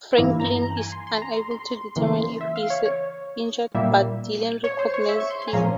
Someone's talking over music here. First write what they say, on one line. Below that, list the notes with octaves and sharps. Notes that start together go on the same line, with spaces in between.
Franklin is unable to determine if he is injured; but Delenn recognizes him.
G2 E3 A#3 E4 A#5
A#5
A#5
G#5
C6
C6
A#5
C6
C6
C6
C#3 E3 A#3 C6
C6
E5
F5
C#5
C#5
A#2 G3 A#3 E5
C#5
C5
C#5
E5
C#6
C6
C6
G#5
A#2 F3 A#3 C#4 A#5